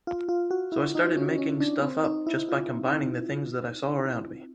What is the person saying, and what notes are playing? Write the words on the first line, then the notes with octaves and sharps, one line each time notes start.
So I started making stuff up just by combining the things that I saw around me.
F4
F4
F#4
E4
D#4
C#4
C#4
D4
C4
D#4
E4
F4